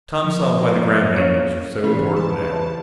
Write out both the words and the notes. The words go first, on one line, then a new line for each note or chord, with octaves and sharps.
Tom saw why the ground manuals were so important now.
F3 A#3
C#4 C#5
C#3 E3 G3 C#4 B4 C5
A5